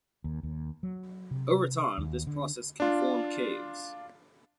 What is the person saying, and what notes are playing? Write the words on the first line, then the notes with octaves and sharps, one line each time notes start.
Over time, this process can form caves.
D#2
D#2
F#3
C3
D#2
D3
D4 F4